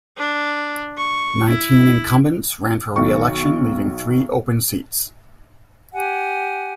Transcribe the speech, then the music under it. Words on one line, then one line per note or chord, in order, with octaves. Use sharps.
Nineteen incumbents ran for re-election leaving three open seats.
D4
C#6
E4
B1 D#3 C#6
G4 F#5 G#5